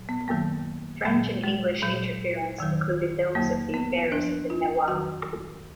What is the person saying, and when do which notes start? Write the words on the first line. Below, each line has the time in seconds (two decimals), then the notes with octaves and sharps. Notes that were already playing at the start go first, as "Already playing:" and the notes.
French and English interference included those of the affairs of the Nawab.
Already playing: A#2 F#3
0.09 B3
0.28 F#2 D#3 F#3 A#3
1.05 A#2 F#3 G#3
1.44 G#3
1.82 A#2 F#3
2.58 F2 D#3 F#3
3.35 F2 D3 F#3 A#3
3.74 B3
4.12 F#2 F3 D4
4.50 F4
4.88 F2 D#3 F#3 F#4